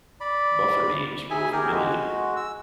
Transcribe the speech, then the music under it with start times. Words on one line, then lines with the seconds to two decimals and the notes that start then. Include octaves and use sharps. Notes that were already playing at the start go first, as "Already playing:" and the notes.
Buffer beams were vermilion.
0.20 D5 B5
1.30 G#4 E5 G#5
1.52 G4 G#4 A#4
1.72 G#3 F#4
2.36 E6